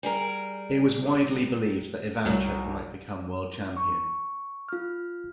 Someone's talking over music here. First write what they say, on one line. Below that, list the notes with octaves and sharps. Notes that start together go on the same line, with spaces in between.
It was widely believed that Ivanchuk might become World Champion.
G3 G#4 A#4
C2 D#3 F#3 C#5
C#6
F4 F6